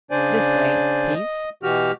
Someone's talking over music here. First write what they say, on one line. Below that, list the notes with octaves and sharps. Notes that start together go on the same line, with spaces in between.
"This way, please."
C#3 D4 C5 D5 G#5
D#5
B2 E3 F#4 G4 F6